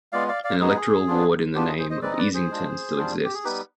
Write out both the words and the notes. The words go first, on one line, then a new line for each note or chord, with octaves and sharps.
An electoral ward in the name of Easington still exists.
G#3 B3 F4 D5 F5
D5 F5
D5 F5
G#3 B3 D#4 G#4
B3 D4 F4
B3 D4 F4 G4
G#4
G#4 C5
C5 D#5
G#3 C4 D#4 B4 D5
D#5
B4 D5
G#4 C5
G#3 D4 F4
G3 D4 F4
G4
G#4
G3 B3 D#4 G4 B4